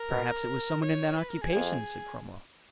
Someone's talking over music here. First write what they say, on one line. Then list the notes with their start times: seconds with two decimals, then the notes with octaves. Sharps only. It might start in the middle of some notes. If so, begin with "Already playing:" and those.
"Perhaps it was some one in that occupation," said Cromwell.
Already playing: A#4
0.11 B2
0.82 C#5
1.18 B4
1.30 A#4
1.41 G#4
1.53 F2 G#4